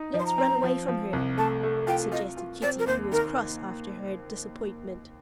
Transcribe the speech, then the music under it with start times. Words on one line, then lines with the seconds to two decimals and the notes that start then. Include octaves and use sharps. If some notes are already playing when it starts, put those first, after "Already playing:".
"Let's run away from her," suggested Kitty, who was cross after her disappointment.
Already playing: D#4
0.14 F3
0.20 C6
0.26 A#5
0.38 C4
0.63 F3
0.88 F3
1.13 C2
1.37 A3 A5
1.63 A3
1.87 F4 G5
2.12 F4 D#5
2.37 F4
2.62 C4 D5
2.79 A#4
2.86 D#2 C5
3.12 D#3 A#4